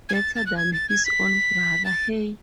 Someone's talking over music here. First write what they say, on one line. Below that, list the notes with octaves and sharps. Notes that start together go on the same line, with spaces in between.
Better than his own brother, hey?
G#6
A6
A6
F#6
G#6
A6
G#6
B6
A6